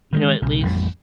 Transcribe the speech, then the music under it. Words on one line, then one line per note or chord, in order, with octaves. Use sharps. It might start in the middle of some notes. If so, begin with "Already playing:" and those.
you know, at least
D#3 E3 G#3
B1 C#3
A1 F2 A2 G3